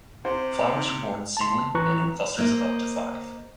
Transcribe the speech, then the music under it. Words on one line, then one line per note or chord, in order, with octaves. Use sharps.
Flowers are borne singly and in clusters of up to five.
C3 C5
A5 C6
A1 E3 E4 A#5 C#6 F#6
A#3 C5 D#5